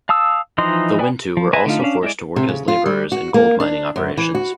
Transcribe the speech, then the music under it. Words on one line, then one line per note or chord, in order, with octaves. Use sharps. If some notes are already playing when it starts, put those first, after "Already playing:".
The Wintu were also forced to work as laborers in gold mining operations.
F5 A5 D#6 E6
E3 F3 D#4 D#5 C6
B3 B4 D5 G5 G#5
F3
B4 C5 D#5 E5 G#5
D3 A3 D#4 F4
C#4 D4 F5
G#3 E4 G#4 D5
C3
C#3
F4
G3
F#4
A#3
D4
F#2
E3
F#4